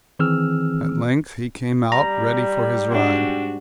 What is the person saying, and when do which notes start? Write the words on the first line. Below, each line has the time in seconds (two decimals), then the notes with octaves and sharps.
At length he came out, ready for his ride.
0.19 D#3 E3 C4 G#4 E6 F6
1.92 G3 A#5
2.90 G#2 D4 F#4